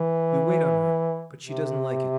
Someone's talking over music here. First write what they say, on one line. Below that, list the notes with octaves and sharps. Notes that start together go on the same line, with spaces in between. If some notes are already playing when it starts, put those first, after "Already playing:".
We wait on her, but she doesn't like it.
Already playing: E3
C3